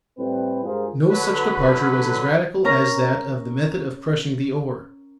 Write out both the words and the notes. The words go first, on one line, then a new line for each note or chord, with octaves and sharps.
No such departure was as radical as that of the method of crushing the ore.
A2 G3 C4 B4
G2 G#3 F4 G#4 A#4 C5
D3 F#3 B4
C#4 A#4 A#5